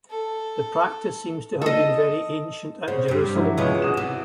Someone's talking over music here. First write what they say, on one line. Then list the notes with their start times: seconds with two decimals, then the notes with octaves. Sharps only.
The practice seems to have been very ancient at Jerusalem.
0.10 A4
1.62 A4 D#5
2.88 C#3 C5
3.08 G2 C3
3.35 F#3 E4
3.58 C#2 G#3 B3 C#4
3.82 F#4 D#6 E7
3.97 C3 E3